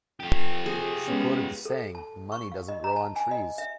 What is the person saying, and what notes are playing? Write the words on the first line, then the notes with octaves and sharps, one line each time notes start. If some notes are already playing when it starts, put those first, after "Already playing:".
She quoted the saying: money doesn't grow on trees.
F2 F4 G4
G#4
G#3 B3 C#4
A4
A5
C#6
F5
D#5
A#5
A5
G#5
D#5
E5